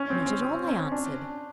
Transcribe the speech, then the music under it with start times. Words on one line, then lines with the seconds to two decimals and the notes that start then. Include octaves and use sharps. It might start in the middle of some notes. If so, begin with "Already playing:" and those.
'Not at all,' I answered.
Already playing: C#4
0.10 C4
0.26 C4
0.42 C4
0.68 C#4
0.92 D4